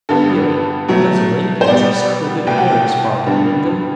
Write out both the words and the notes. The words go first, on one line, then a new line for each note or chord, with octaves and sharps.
Really, those Olympians have certain good points, far down in them.
G2 D3 G3 B3 A4
B2 F#3 A3
C5
B2 G3 B3 D5
C2 B2 A3 G5
F#5
G5
G2 D3 G3 B3